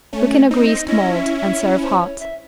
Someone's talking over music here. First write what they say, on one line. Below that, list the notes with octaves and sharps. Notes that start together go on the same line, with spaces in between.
Cook in a greased mold and serve hot.
A3 C#4 C#5
C4 D#4
D#5
C#4 E4 D#5
E5
E5
C5
C#5
E5